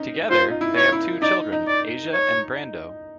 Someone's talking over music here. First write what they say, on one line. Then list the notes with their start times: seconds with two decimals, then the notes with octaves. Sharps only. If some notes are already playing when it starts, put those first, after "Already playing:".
Together, they have two children, Asia and Brando.
Already playing: C#4 D#4
0.30 F4 C5
0.50 D#4
0.61 E4
0.76 C#5
0.92 E4
1.22 D#4 D5
1.52 D#4
1.67 D5
2.13 C#5